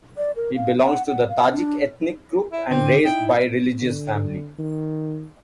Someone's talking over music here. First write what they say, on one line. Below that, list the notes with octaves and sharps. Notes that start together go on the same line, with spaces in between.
He belongs to the Tajik ethnic group and raised by religious family.
D5
A#4
F5
F#5
F#5
F5
D4
E4
D3 C4
D#4 E4 G5
D3
D#3